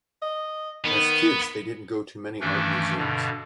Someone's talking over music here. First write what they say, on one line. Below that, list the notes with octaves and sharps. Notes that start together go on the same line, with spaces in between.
As kids, they didn't go to many art museums.
D#5
D#3 B3
G2 D#3 E3 A3 C#4 D4
G2 B2 D3